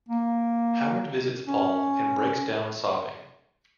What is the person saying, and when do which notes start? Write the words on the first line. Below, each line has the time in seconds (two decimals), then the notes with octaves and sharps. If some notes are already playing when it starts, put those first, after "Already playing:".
Howard visits Paul and breaks down sobbing.
0.09 A#3
1.47 C#4